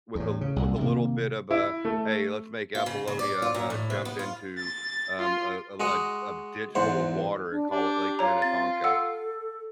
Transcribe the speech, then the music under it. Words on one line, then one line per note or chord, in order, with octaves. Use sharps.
with a with a little bit of a, "Hey. Let's make Apollonia, uh, jump into, um, a a l a ditch full of water and call it Lake Minnetonka,"
E2 A2
C#3
C2 A#2
C3 D#3 A#3
E4
A3
F4
C#3
C#3
D5
F4
A#2
A2
C3
B3
F4
A6
F4
G#3 F#4 D#5 F#5
E2 G#2 C5 F#5
D4
D4 G4
F4 C#5 A#5
C4 A6
A4 F#5 E6